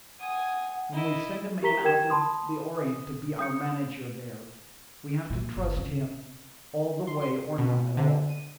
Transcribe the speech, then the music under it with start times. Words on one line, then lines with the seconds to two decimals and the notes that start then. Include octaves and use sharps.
When we send a man out to the Orient to be our manager there, we have to trust him all the way or not at all.
0.20 F#5 G#5 D#6
0.93 E4 D#5
1.63 G4 A#4 A#5 B6 G7
1.84 A#4 G5 G#6 E7
2.10 A5 B5 C6 D#6
2.77 D#6
3.39 D#6 G6 C#7
5.30 A#2
5.56 G1
5.76 C#3
7.07 C6
7.21 C6
7.58 B2
7.97 D3
8.29 D#7